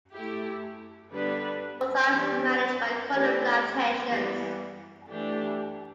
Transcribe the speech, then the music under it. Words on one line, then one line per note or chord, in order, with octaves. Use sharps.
Both are managed by Cornell Plantations.
A3 E4 G4
D3 G3 B3 D4 B4
E3 G3 D4 G4
E3 A3 D4 G4
E3 G3 B3
E3 A3 D4 G4